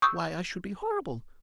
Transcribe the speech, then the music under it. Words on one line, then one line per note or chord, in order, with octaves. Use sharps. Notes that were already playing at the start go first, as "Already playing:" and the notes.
Why, I should be horrible!
C#6 D#6 E6 G6